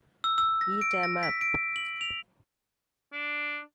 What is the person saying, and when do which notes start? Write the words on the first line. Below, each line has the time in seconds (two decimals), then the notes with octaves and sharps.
Eat 'em up!
0.24 E6
0.38 E6
0.61 A#6
0.81 D7
1.03 A#6
1.23 B6
1.41 D7
1.76 F#7
2.01 F7
3.13 D4